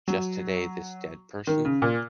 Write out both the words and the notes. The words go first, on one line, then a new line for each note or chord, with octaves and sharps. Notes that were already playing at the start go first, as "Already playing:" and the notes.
Just today this dead person!
F#3
D#3
C#3
A#2